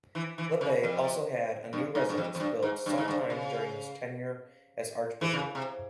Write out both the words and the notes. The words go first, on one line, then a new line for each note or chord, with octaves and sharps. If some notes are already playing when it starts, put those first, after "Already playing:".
Lippay also had a new residence built sometime during his tenure as archbishop.
E3
E3
C#3
F2
G2
G#2
G2
F2
F2
G2
G#2
G2
G#2
G2
C#3
E3
C#3
C3